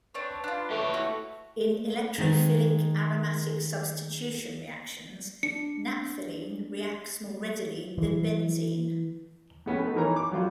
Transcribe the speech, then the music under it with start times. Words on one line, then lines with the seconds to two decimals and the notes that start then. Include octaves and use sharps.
In electrophilic aromatic substitution reactions, naphthalene reacts more readily than benzene.
0.15 C4 D4 B4 C#5
0.44 D4 F4
0.70 A3 G4 C#5
0.94 E4 F#4
2.18 D#3 G#3 G#4
5.43 D4 C#7
7.98 E3
9.66 A2 A3 B3 C#4
9.84 D#4 A4 B4
9.96 E3 D#4 A#4 C#5 A#5
10.16 D6
10.31 F#3 G3 F4 F#4